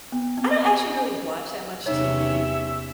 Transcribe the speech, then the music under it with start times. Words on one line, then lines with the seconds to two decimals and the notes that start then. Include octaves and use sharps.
I don't actually really watch that much TV.
0.12 B3
0.37 C4
0.65 G#5
0.87 C#4
1.86 E2 C3 C#4 D#4 C#5 E5